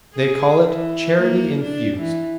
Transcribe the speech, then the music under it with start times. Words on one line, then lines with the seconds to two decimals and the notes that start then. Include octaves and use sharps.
They call it "charity infused."
0.15 G#4
0.65 E3
1.17 A#3
1.63 D4
1.97 E3